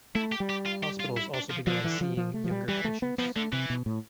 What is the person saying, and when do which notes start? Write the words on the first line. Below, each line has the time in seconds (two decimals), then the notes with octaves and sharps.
Hospitals also began seeing younger patients.
0.15 A3 E4
0.32 G4
0.40 G3
0.50 G4
0.66 F4
0.83 G4
1.00 F4
1.17 E4
1.34 D4
1.50 F3
1.66 D3 F3
1.84 E3
2.01 F3
2.17 F3
2.34 A3
2.44 F3
2.51 G3
2.68 E3 G3
2.85 A3
3.02 B3
3.18 F3 B3
3.36 D3 A3
3.52 C3 E3
3.70 B2
3.86 A2